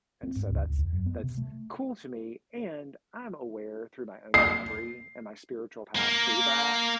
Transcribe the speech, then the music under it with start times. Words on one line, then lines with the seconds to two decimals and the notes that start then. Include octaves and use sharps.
and so that's that's cool to me and I'm aware through my own recovery and my spiritual path through that
0.23 C4
0.36 G#2
0.50 C#2
0.65 C#2
0.78 E2
0.93 F#2
1.06 B3
1.23 C3
1.37 A3
4.34 C7
5.95 A#3 A#4